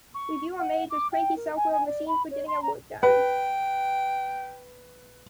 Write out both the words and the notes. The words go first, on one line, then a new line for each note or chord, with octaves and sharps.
We view our maids as cranky self-willed machines for getting our work done.
C#6
F#5
D6
G5
A#4
G#5
G#5
D5
B5
C#5
C6
A#5
B4 G5